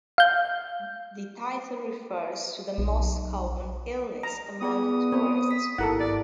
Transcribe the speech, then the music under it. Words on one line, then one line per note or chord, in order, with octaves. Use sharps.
The title refers to the most common illness among tourists.
F5 G6
B1
A#5 D#6
B3 F4 G#4 D5 D#6
C4 B5 C#6
B6
G#1 E4 G4 A4 A#4 F#5
E4 D5